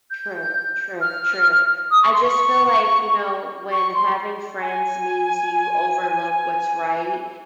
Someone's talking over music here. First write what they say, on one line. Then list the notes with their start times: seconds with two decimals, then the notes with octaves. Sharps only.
True, true, true. I just feel like, you know, when having friends means you overlook what's right,
0.11 G6
1.01 F6
1.91 D#6
2.03 C#6
2.13 C6
2.24 C#6
3.72 C#6
3.94 C6
4.62 G#5